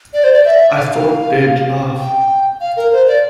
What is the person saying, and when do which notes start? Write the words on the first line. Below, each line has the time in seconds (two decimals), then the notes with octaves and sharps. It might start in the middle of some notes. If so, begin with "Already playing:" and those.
I thought they'd laugh.
0.14 D5
0.24 C5
0.33 D5
0.45 E5
0.76 F5
2.00 G5
2.61 F5
2.77 A#4
2.92 C5
3.08 D5